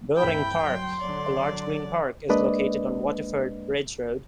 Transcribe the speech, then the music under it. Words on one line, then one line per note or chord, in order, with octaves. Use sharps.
Bowring Park, a large green park, is located on Waterford Bridge Road.
D2 G2 C3 E4 G5 B5
F#3 C6
D3 F#3 D5
G#3 A#3 D4 B4 D5 D#5